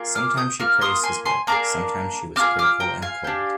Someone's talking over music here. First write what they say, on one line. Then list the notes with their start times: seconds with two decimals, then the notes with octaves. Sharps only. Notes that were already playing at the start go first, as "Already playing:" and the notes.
Sometimes she praised his work; sometimes she was critical and cold.
Already playing: A#3 F4 G#4
0.15 D6 F6
0.37 D#6 G6
0.60 A#3 F4 F6
0.81 C6 D#6
1.03 G#5 C6
1.25 G#5 C6
1.47 A#3 D4 G#4 A#5 D6
2.36 C4 F4 G#4 D6 F6
2.59 D6 F6
2.80 G5 A#5
3.02 F5 G#5
3.24 D4 G4